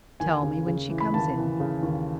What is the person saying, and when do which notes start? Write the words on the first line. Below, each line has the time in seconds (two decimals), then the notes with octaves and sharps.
"Tell me when she comes in--."
0.20 D#2 G#5
0.43 C#3
0.67 C#3
0.90 E3
1.00 B5
1.14 D#2 A5
1.37 E3
1.60 C#3
1.83 D#2